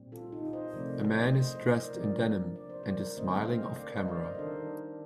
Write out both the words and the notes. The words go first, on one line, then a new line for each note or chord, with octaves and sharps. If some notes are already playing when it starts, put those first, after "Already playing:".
A man is dressed in denim and is smiling offcamera.
Already playing: A#2 G3 C4
F4 A4
D#4 G4
C5 D#5
C3 F3 A3 C4 A#4 D5
C5 D#5
C5 D#5
C5 D#5
A#4 D5
F3 A#3 D4 A#4 D5
D5
C5
A#4 D5
D3 A3 C4 C5 D#5
F5
C5 D#5
A#4 D5
C5 D#5
D5 F5
C5 D#5
A#4
D#3 G3 D4 A4 C5